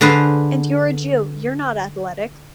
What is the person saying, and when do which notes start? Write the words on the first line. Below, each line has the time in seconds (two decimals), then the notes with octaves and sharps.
And you are a Jew, you're not athletic.
0.01 D3 G#4 B4 C5 F5